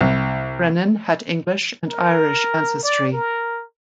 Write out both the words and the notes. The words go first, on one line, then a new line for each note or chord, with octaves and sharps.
Brenan had English and Irish ancestry.
C2
A#4
D5
A#4